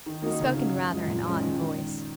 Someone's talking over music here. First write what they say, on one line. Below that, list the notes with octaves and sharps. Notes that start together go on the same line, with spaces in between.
He spoke in rather an awed voice.
D#3
A#3 D#4 F#4
C#3
F#3 C#4
F#2
G#3
F3
A#2
F3 G#3 C#4
D#3